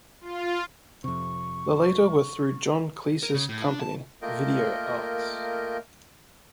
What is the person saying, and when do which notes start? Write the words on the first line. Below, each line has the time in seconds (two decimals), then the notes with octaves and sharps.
The latter were through John Cleese's company Video Arts.
0.21 F4
1.04 F2 C3 C#6
3.23 A#4
3.34 C#3
3.49 A2
3.64 D4
3.80 A5
4.22 A3 A#3 F4 A#4 D#5 G5